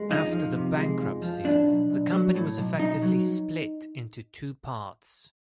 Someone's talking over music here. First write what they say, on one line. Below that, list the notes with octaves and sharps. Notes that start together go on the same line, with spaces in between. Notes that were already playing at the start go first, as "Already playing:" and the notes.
After the bankruptcy, the company was effectively split into two parts.
Already playing: G#3
F2 D#4
F3
C3
G#3
F2
F3
A2 D4
B1
B1
F#3
A2
B1
B1 D#4
F#3